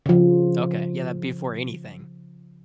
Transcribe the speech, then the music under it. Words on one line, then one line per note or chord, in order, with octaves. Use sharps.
Okay. Yeah, that'd be for anything.
C#3 F3